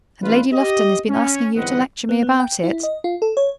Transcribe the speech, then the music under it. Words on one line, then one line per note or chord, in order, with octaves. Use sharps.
"And Lady Lufton has been asking you to lecture me about it?"
A1 F4 B4
G4 D#5
C#4
G1 E2 C4 B4 D#5 F#5
B3
B3
G5
E4
D#5
F4
A4
C#5